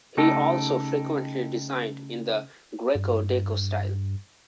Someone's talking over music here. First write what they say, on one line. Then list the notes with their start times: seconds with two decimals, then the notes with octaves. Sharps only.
He also frequently designed in the Greco Deco style.
0.17 C#3 A3 D#4 G4 A4
2.95 G2